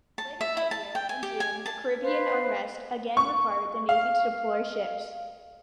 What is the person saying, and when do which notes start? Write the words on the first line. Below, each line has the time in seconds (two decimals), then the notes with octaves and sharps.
Later that year, in June, Caribbean unrest again required the Navy to deploy ships.
0.18 A5
0.41 E5
0.57 E4
0.71 A5
0.95 G5
1.09 G#5
1.23 G4
1.40 G#5
1.66 A5
2.01 B4 C5 F5
3.17 C#6
3.89 F5